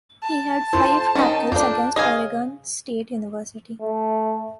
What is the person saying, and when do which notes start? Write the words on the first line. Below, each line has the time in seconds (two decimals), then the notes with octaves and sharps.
He had five tackles against Oregon State University.
0.22 A5
0.73 F2 E4 C5
1.15 D#3 C#4 D#4
1.52 F2 A#3 D4 G6
1.96 C#3 D#5 F5 G#5
3.81 A3